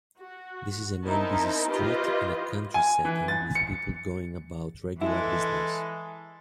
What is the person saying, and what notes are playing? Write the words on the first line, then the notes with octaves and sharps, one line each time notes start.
This is a non busy street in a country setting with people going about regular business.
F#4
C4 D#4 E4 A#4 A5
E4 F4 G4 B4 C5 D#5
G#5
E3
A6
C#7
E3 G#3 E4 A4